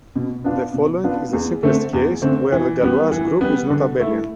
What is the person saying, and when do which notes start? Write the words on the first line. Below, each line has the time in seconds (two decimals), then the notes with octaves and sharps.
The following is the simplest case where the Galois group is not abelian.
0.16 B2
0.44 B3 D4 F4
0.74 B2
1.04 B3 D4 F4
1.33 E2
1.63 D3 A3 C4
1.93 E2
2.22 D3 A3 C4
2.52 E3
2.81 G3 B3
3.11 E3
3.41 G3 B3
3.70 D3
4.00 A3 E4